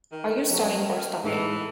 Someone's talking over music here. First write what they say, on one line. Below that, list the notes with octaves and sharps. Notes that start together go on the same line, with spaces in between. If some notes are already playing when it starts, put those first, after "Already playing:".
Are you starting or stopping?
D#3
F#3 C#4 F#4 A4
A2 E3 G#3 D#4 A4